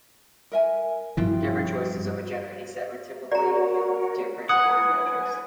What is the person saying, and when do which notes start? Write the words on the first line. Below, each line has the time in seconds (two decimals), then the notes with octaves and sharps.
Different choices of a generating set will typically yield different word metrics.
0.52 A#4 E5 G#5
1.17 G2 B2 F3 E4 F4 G5
3.32 F#4 A#4 C#5 D5 A#5
4.49 B4 F#5 G#5 D#6